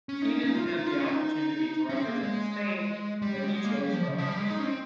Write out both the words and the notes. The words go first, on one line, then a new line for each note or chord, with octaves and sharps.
Keenan had the opportunity to represent Spain but he chose for Argentina.
C#4
D#4
C#4
D#4
F4
F4
D#4
F4
C#4
D#4
C#4
C4
A#3
G#3
G3
G#3
A#3
G3
F3
C#3
F3
G3
G#3
D#4
C#4
C4